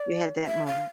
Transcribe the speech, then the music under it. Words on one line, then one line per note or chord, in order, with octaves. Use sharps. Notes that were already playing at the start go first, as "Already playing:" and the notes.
You had that moment.
Already playing: D5
E5
F5